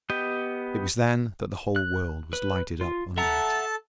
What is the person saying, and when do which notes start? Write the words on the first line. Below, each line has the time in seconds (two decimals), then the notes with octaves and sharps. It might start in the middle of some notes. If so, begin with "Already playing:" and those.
It was then that the whole world was lighted up under it.
0.10 B3 G4 D#5 G5
1.76 F#6
2.33 B4
2.81 F4
3.18 A4 E5 F#5 A5 A#5